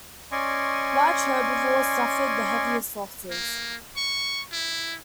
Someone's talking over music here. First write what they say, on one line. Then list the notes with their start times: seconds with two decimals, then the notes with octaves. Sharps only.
Large herbivores suffered the heaviest losses.
0.32 C#4 D5 D#5 G#5 C6 C#6
3.30 A#3
3.97 C#6
4.52 E4